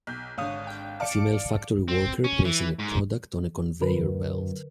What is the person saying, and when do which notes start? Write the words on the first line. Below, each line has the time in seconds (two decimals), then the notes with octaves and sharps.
A female factory worker placing a product on a conveyor belt.
0.07 B1 G6
0.38 G#1 D3 C#5 F5 D#6
0.64 F5 G5
1.00 D5 F5 A5 D6 C#7 D7
1.88 C4
2.24 C#4
2.45 E3
2.79 G#2
3.81 F#2 D3 A#4 B4